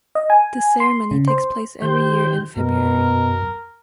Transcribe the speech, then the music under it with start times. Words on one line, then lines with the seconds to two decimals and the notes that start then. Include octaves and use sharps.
This ceremony takes place every year in February.
0.15 D#5
0.30 G#5
0.80 C6
1.11 C#3
1.28 C5
1.82 D#3 G4 C5 G6
2.57 F#2 B2 A#4